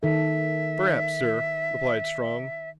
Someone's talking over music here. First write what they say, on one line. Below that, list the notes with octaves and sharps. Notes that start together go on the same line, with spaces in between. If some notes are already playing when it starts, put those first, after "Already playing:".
"Perhaps, sir," replied Strong.
D#3 A4 E5